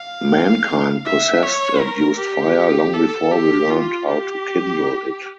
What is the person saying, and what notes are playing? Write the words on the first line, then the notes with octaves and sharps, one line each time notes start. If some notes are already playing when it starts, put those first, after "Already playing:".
Mankind possessed and used fire long before we learned how to kindle it.
Already playing: F5
E5
C#5
A#4
G4
A4
G4
F4
G4